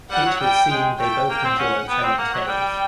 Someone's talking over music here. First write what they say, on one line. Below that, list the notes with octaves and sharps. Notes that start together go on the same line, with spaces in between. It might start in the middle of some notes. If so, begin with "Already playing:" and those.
It would seem they both enjoyed telling tales.
G3 F#5
F#3
G3 G5
G#3
A3 G5
A#3 G5
C4
C#4 F#5
B3 G5
C4
A#3 F#5
F#3
G3 G5